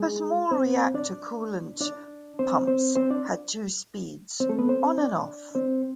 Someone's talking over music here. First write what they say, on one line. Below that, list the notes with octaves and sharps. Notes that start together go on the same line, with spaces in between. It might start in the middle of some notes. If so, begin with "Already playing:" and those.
Her small reactor coolant pumps had two speeds: On and Off.
Already playing: G#3 G#4
C4 C5
D4 D5
D4 D5
C4 C5
C4 C5
C4 C5
D4 D5
C4 C5
A3 A4
B3 B4
C4 C5
D4 D5
C4 C5